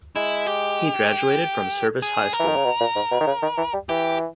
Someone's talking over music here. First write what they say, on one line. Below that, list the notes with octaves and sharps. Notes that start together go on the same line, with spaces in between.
He graduated from Service High School.
G#3 E4
G4
G#4
A#4
E3
D#3
C#3
B2
A#2
G#2
B2
D#3
C#3
D#3
E3
G3
E3 G4